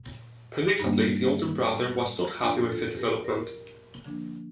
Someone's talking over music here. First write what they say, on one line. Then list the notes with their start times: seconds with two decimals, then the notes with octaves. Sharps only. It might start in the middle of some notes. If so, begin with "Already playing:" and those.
Predictably, the older brother was not happy with the development.
Already playing: A#2
0.80 G2 D3 G3 A#3 D4 D#4
2.42 A#2 F3 A3 D4 F4
2.69 F4 A4
2.86 A4
2.97 G4 A#4
3.23 A#4 D5
4.05 D3 F3 A#3 D4